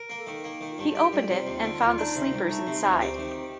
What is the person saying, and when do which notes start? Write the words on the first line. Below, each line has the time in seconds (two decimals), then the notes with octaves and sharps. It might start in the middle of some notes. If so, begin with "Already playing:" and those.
He opened it and found the sleepers inside.
Already playing: A#4
0.10 A#3
0.18 A4
0.27 D#3
0.44 A#3
0.61 D#3
0.70 F4
0.78 G2
0.86 F4
0.95 D#4 G4
1.13 G3
1.21 F4
1.30 C3
1.47 D#2
1.64 D3
1.81 D#2
1.86 F4
1.98 D4 D#4
2.15 C3
2.33 C2
2.50 A3
2.67 C3
2.83 D2 D#4
2.92 F4
3.01 C4 G4
3.18 D#3